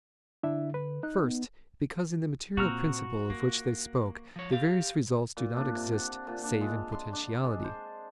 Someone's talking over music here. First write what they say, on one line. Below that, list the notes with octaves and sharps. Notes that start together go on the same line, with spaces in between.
First, because in the material principle of which they spoke, the various results do not exist save in potentiality.
D3 D4 E4 E5
B4
D#4 F#6
B3
A#2 C4 F#4 A#5 F6
A#3 F4
F3 C#5
G4 F5
A#2
D4
C3
F#5
A#2
D4
G#3
C6
D4
G#3
C5